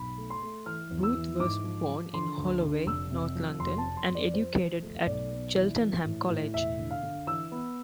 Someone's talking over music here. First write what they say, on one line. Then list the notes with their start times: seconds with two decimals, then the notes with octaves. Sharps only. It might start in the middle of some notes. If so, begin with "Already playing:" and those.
Booth was born in Holloway, North London, and educated at Cheltenham College.
Already playing: B1 B5
0.18 A3
0.30 C6
0.42 A3
0.66 E3 F6
0.91 E2
1.03 E6
1.15 E3
1.40 G#2 D6
1.64 F3
1.89 F3
2.14 D3 C6
2.38 D2
2.62 D3
2.86 F1 E6
3.11 C3
3.35 F3
3.60 F1 C6
3.78 A5
3.85 F3
3.97 C6
4.09 F2
4.15 D5
4.33 F3 C5
4.58 F3
4.82 A3
5.06 B1 D5
5.31 B3
5.56 E3
5.80 E3
6.05 A2
6.29 A2
6.54 E1 E5
6.79 D3
6.90 F5
7.03 D3
7.27 E3 E6
7.52 B3